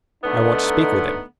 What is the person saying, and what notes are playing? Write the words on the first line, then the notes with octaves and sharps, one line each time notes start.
"I want to speak with him."
D3 A3 B3 D#4